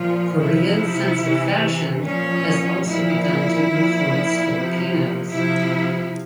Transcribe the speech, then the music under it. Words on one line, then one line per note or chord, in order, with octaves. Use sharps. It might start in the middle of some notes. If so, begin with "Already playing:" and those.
Koreans' sense of fashion has also begun to influence Filipinos.
Already playing: A#2 F3 F4
C3 F3 E4
C3 E3
A#2 F3 C#4
A#2 F3 E4
A#2 F3
C3 F3
C3 F3 E4